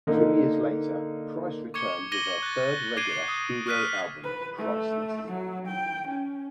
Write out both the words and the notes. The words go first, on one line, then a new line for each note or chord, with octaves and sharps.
Two years later, Price returned with her third regular studio album, "Priceless".
D3 A#3 D#4
C#6 D6 G#6 C#7 G7
D6 G#6 A#6 D#7 F#7 G7
F#6 A6
D6 F#6 G#6 C7 D7 D#7
D#6
C#6 D#6 F6 F#6 B6 D#7
B4
A3
F#3
G5
C#4